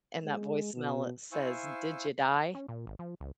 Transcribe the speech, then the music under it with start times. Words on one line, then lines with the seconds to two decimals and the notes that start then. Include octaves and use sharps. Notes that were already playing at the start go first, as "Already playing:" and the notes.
and that voicemail, it says, "Did ya die?"
0.25 G#3
0.74 B2
1.32 E4 C5 F5 G#5 C#6 E6
2.55 C#4
2.68 A#2
2.87 G#1
2.99 F3
3.20 C#2